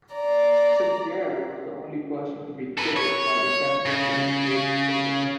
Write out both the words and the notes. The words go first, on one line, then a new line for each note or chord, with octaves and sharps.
Sinclair was the only person to be killed while attempting to escape Colditz.
D5 A#5
A4 B4
C#5
C#3